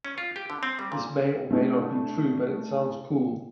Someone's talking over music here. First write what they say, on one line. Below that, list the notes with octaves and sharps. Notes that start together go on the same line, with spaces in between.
This may or may not be true, but it sounds cool!
C#4
F4
G4
D3
C4
G3
A#2
A3 D4 E4